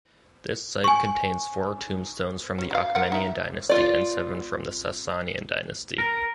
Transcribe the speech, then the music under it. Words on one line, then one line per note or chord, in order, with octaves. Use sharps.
This site contains four tombstones from the Achaemenid dynasty and seven from the Sasanian dynasty.
G#5 C#6
C#4
F#3 F5
A#4 F5 F#5
D#4 E5
F4 D5
A#4